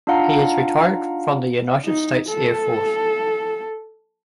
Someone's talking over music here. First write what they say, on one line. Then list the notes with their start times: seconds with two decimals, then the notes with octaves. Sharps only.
He is retired from the United States Air Force.
0.07 D4 D#4 F4 F5 F#5 A#5
1.84 D#4
2.29 A4